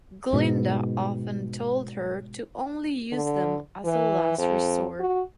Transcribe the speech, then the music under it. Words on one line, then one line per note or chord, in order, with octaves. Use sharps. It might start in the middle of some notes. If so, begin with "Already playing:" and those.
Glinda often told her to only use them as a last resort.
G#2 B2
D3
E3
F2
F#4